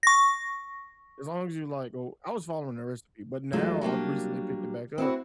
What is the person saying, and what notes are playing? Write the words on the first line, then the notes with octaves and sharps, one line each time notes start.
as long as you like, oh I was following a recipe, but now I've recently picked it back up
C#6 A#6
E2 F#3 G#3 A3 D#4 F4
F#3 G3 A#3 D4
C4 E4 F#4 B4